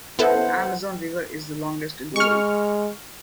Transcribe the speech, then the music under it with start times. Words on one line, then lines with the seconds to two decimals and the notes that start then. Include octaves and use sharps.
The Amazon River is the longest in the world.
0.19 B3 E4 A4 C5 F#5
2.16 G#3 C#6 F6